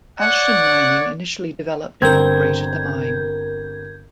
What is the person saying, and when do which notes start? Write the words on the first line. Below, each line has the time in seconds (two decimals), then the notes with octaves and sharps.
Ashton mining initially developed and operated the mine.
0.20 C#5 D5 F#5
2.02 G1 C4 A#4 G6 G#6